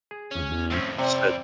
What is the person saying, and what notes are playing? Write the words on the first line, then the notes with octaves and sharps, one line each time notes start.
Mhm. Said
G#4
C#4
F2 A2 A3 C4 C#4
F2 C3 C4 D5